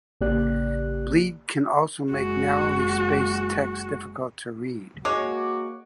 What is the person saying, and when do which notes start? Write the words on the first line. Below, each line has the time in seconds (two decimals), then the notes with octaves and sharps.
Bleed can also make narrowly spaced text difficult to read.
0.21 A1 C#3 A#3 G4 D5 F#6
2.12 F#1 G#3 F#4
5.05 G#3 A#3 F#4 C#5 D6